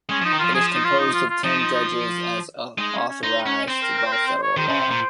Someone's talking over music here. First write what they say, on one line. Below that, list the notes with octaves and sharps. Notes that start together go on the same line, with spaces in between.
It is composed of ten judges as authorized by federal law.
G#3 C#4
F3 D#4
D#3
F3 F4
F#3
F3 G#4
D#4
F4
D#4
F4
F4
F3 D#4
D#4
D#4
G#3 D#4
C#4
C#4
D#4 C5
C#4 C#5
C4 C5
A#4
A#4
C5
A#4
C5
C#5
D#3 C5
C#3
C3
A#2